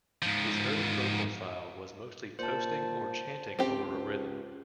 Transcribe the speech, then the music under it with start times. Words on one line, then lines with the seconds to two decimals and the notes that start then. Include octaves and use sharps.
His early vocal style was mostly toasting or chanting over a rhythm.
0.22 G#2 F3
2.39 A#2 C5 A5
3.59 C#2 C4 G4